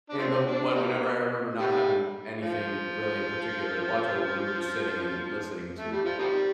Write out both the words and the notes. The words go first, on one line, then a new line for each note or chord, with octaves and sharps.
And though but whenever I remember not having anything really in particular to watch, I would remember just sitting and listening to
D4
F3 A3 C4
D4
C4
D#3 G3 A#3
C3 D#3 G3
F3
A3
G3
F3
C3 D#3 G3